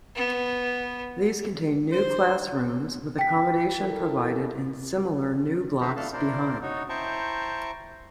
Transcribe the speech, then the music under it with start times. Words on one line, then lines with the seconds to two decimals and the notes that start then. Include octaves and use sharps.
These contained new classrooms, with accommodation provided in similar new blocks behind.
0.16 B3
1.92 C5
3.19 G5 B6
3.81 E4 A4 A#4
5.81 B4 C5 E5 F#5 A#5
5.96 A3 D4 E4 A4 F5 A5
6.13 D4 E4 A#4 C5 D5
6.62 D#4 F#4 C#5
6.89 E4 C5 G5 A5 A#5 C#6